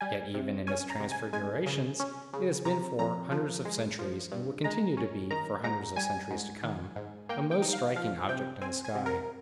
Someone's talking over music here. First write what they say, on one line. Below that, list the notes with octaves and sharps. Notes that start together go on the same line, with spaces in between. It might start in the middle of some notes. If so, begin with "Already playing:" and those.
Yet even in its transfigurations it has been for hundreds of centuries, and will continue to be for hundreds of centuries to come, a most striking object in the sky.
G3 G#5
C3
C#4 G#5
A#5
C3
G#5
G#3 G#5
C#3
C#4
C#3
C3 A#5
F2 A#5
F3
G#3
F3
G2
G#3 A#5
C#4
D#3 A#5
G#2 A#5
G3 G#5
G#2
D#3
G#2
A#3 G5
G5
D#4
F5
F3 F5
C3 G5
C4 G#5
G#5
C3
A#4